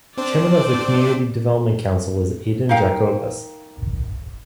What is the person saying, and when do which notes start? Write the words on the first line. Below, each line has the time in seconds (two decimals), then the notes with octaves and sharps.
Chairman of their Community Development Council is Aiden Jacobus.
0.17 C4 D4 C5 D5
2.69 D#4 A#4 F5 G5